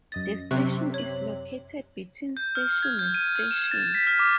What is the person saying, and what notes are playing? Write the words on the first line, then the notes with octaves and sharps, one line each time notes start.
The station is located between station and station.
F#2 D#5 A6 A#6
F#2 C3 D5 C#6 F#6 B6
C#5 F#7
G6
F6
G#6
G6
D#7
G#6
E7
A6
B6
F6
D6